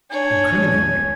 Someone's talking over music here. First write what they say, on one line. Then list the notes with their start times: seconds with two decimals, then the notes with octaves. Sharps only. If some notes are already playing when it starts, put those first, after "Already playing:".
"Incriminate me?"
0.10 D4 C#5 G#5